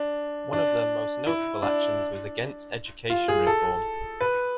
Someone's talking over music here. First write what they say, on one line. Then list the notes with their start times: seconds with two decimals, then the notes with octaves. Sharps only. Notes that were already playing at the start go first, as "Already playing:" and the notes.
One of their most notable actions was against education reform.
Already playing: D4
0.53 D4
1.27 E4
1.62 D4
3.10 F4
3.28 G#4
3.47 A4
4.21 B4